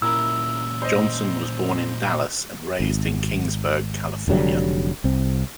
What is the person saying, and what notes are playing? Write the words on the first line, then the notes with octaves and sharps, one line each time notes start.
Johnson was born in Dallas and raised in Kingsburg, California.
A#2 C#4 E4 A#4 E5 E6
C5 D#5
G#1
F1 D3 F#3 G3
C2 C4